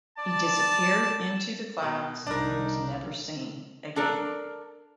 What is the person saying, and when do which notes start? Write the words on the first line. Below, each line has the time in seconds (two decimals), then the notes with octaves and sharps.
He disappeared into the clouds and was never seen again.
0.18 D5 A5
1.82 B2
2.27 C2 D4 D#4 A#4
3.96 D4 A4 A#4